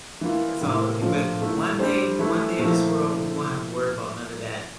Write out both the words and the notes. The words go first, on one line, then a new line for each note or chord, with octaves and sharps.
That's all I need, but one day in one day in this world, we won't have to worry about none of that.
E3 A#3 F4
A2 E3 A#3
A#2 F3 A3 D4 F4
A#2 A3 E4
G3 D4 A4 C5
E3 A3 E4
A#2 F3 A3 E4